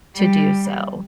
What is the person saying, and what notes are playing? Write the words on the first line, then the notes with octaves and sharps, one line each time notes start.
to do so."
G3